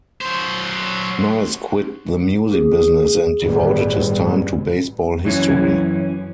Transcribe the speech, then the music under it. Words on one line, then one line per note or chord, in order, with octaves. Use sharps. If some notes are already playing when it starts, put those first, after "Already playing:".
Nice quit the music business and devoted his time to baseball history.
F#3 C5
G#4
G1 A2 D#3 G3 B3
F#2 E3 C#4